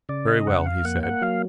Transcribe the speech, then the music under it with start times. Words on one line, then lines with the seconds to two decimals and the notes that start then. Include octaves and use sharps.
"Very well," he said.
0.09 C#3 D5
0.28 D#5
0.47 F2 F#5
0.66 F5
0.85 A#3 F#5
1.03 F#5
1.22 F#3 F5